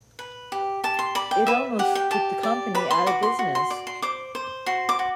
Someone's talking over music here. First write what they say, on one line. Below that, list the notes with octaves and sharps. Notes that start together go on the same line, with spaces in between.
It almost put the company out of business.
B4
G4
G4 A5
C6
D5 B5
G5
B4 E5
G4 F#5
G5
G4 A5
D5
B4 B5
C6
F#4 D6
C6
F#4
C6
D5
C6
C5 D6
C5
F#4 C6
D6
F#4